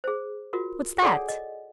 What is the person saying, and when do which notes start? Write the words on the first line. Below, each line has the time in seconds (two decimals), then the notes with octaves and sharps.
"What's that?"
0.04 G#4 C5
0.53 F4 F#4 A#4
1.02 G#4 A4 C#5 D5 F#5 G#5
1.29 D#5